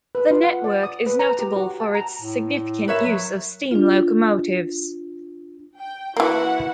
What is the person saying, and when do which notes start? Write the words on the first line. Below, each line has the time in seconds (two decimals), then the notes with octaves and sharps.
The network is notable for its significant use of steam locomotives.
0.15 B4
0.31 F4
0.43 F#5
0.64 D5
0.83 D#6
1.06 B4
1.19 A#5
1.39 G4
1.56 F#4
1.80 A5
1.95 A#5
2.20 A2
2.88 A#4 B4 C#5 E5
3.06 F#3
3.71 D4 F4
5.80 G5
6.17 E3 A#3 E4 F#4 F#5